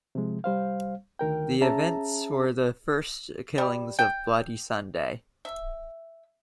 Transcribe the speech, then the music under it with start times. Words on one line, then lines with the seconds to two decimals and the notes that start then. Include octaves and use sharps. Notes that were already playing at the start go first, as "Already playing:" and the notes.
The events were the first killings of Bloody Sunday.
0.15 C3 F3 G#3
0.44 C2 G3 C5 F5
1.19 D2 D#3 A#4 G5
1.61 C#4 G#4 E5 A5 A#5
3.58 G3
3.99 G5
5.45 E5